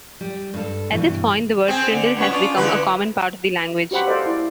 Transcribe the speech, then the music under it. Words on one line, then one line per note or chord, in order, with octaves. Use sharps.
At this point, the word "frindle" has become a common part of the language.
G3
G2 A4
G2 B2 E3
C4 G#4
D3
F#2 B3 C#5
C#4 D4 F4
D3 E3 B4
F#4 G4 C5 F#5 B5
A4 C5 D5 D#5 F5
E4 D5